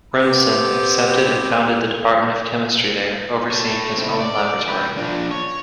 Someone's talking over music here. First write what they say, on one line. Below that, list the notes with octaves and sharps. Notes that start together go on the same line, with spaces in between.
Remsen accepted and founded the department of chemistry there, overseeing his own laboratory.
B3 C4 G4
A4 C#5
C4 E4
D5
B4 G5
F3 D4
C#5